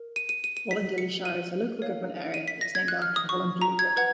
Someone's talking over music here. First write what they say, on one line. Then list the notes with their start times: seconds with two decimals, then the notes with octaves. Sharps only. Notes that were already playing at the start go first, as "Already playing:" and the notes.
Wollondilly Shire is a local government area that is named after the Wollondilly River.
Already playing: A#4
0.16 D#7
0.29 D#7
0.44 D#7
0.57 D#7
0.71 B6
0.98 C#7
1.25 D#7
1.79 A#4 C#5 F5
2.34 D#7
2.48 B6
2.61 A#6
2.75 G#6
2.88 F#6
3.02 F6
3.16 D#6
3.29 C#6
3.61 A#5
3.79 G#6
3.97 B4 F#5 G#6